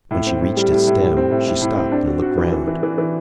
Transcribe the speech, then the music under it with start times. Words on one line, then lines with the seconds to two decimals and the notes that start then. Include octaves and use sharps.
When she reached its stem, she stopped and looked round.
0.11 A2
0.26 C4
0.41 A2
0.57 G3
0.71 A2
0.87 A2
1.02 A2
1.17 C4
1.31 A2
1.47 A2
1.61 A2
1.77 C4
1.92 D4
2.08 F#4
2.22 F#4
2.38 E3
2.52 E3
2.67 E3
2.83 E3
2.98 E3